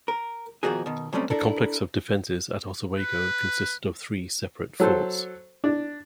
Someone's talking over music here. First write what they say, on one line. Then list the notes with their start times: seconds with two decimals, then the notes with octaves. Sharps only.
The complex of defenses at Oswego consisted of three separate forts.
0.08 A#4
0.63 B2 D#3 F3 A#3 F#4 G#4
0.86 B2 D#3
1.13 B2 F#3 G3 A3 C4 C#4
1.30 D4 E4 A4 A#4
2.98 B4
4.80 F#3 A4 C5
5.64 D4